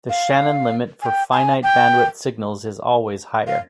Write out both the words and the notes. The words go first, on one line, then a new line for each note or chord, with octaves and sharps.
The Shannon limit for finite-bandwidth signals is always higher.
F5
G#5
G5
G#5
G5
F5